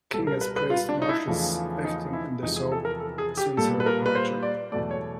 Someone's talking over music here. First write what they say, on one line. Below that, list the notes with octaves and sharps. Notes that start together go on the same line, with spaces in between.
King has praised Marsh's acting in the soap since her departure.
C#2 B2 G3 A4
A#4
B4
B4
F4
D4
D#4
E4
E2 C#3 F3 A3
D#4
E4
E2 C3 F3 G#3 D#4
G#4
A4
A#4
A4
G#4
G4
A#2 G3 A#3 A4
B4
A#4
B4
C5
D5
E2 B2 F#3 A3 D5
C#5